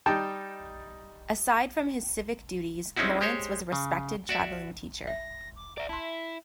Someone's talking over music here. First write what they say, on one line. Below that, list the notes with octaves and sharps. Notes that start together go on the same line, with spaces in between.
Aside from his civic duties, Lawrence was a respected traveling teacher.
G3 D#4 G5 A5
G#3 C4 C#4 D#4 E4 F#4
G#3 G4 C5 C#5
C#3
F#4 D5 E5
E5 A#6
D6
D5 E5 A#5
E4 E5 A5 C6